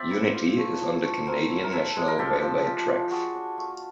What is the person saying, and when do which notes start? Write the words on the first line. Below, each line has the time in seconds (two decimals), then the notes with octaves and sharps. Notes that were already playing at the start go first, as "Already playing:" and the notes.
Unity is on the Canadian National Railway tracks.
Already playing: C4 D5 E5
0.11 E4
0.34 F4
0.58 A3
0.80 D4
1.04 A3
1.26 C4 A#4 C5
1.50 E4
1.63 A#4
1.72 E4 A4 B4
1.96 G#3
2.08 A#4
2.19 F3 G4 A4
2.42 F3
2.65 F4
2.88 F4
3.11 D4 F#4 G#4
3.35 D4
3.58 A3